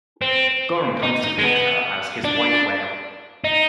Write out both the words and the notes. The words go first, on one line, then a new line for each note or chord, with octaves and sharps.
Goren comes to think of her as his "white whale".
C4
D#4
D#4
G#3
B3
D4
D#4